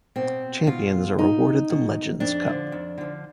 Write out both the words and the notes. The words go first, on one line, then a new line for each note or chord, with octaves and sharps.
Champions are awarded the Legends Cup.
B2 C4
B2 F4
B2 D#4
B2
F2 D4
D3 F3
F2
D3 F3